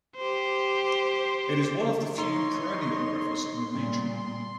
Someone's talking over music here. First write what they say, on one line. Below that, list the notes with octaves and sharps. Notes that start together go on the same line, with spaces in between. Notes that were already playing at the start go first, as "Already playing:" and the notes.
It is one of the few perennial rivers in the region.
G4 C5
D#4 C#5 D#5 C6
A#2 G3